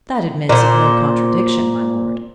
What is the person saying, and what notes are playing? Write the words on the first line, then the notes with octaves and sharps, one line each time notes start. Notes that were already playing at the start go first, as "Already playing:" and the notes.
"That admits of no contradiction, my lord."
A#2 C5